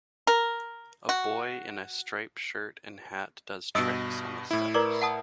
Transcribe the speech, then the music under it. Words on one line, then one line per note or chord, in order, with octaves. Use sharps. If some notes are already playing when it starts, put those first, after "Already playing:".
A boy in a striped shirt and hat does tricks on the steps.
A#4
F#4
G2 B2 D#5 D#6 E6 D7
A2 E4
A#4 B4 D5 A#5 D6
F#5 A5 D#6